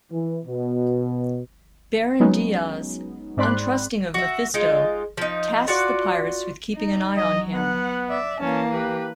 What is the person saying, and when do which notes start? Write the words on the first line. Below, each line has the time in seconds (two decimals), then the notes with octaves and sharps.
Baron Diaz, untrusting of Mephisto, tasks the pirates with keeping an eye on him.
0.11 E3
0.45 B2
2.20 F#3 G#3 B3 C#4 D#4
3.37 G#2 C4 D5 B5 C6 F#6
4.14 F#4 E5
4.54 G#3 D#4 F4
5.17 F3 D#4
5.68 F4 F#4 D5
6.76 D#4
7.17 F#3 D#5
7.54 B3 F#5
8.10 D5 E5
8.40 E3 A#3 C#4 A5
8.73 G4 B4